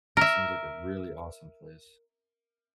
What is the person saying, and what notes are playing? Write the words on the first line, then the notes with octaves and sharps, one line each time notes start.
It seems like a really awesome place.
A#4 E5